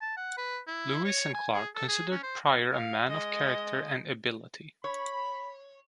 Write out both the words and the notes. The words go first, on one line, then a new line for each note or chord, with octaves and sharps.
Lewis and Clark considered Pryor a man of character and ability.
A5
F#5
B4
E4
C#5
G#5
G#4
A4
G#4
C#4
C5
F5
G#3 D#5
C#5 B5